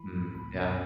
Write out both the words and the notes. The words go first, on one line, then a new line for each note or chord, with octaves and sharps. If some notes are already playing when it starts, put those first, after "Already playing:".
Mm, yeah.
Already playing: E3 B5
A2
C#2 B5
B2